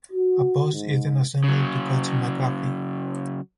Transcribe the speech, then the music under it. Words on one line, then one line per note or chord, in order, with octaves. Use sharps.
A posse is then assembled to catch McGaffey.
F#4
G#2
C#3 F#3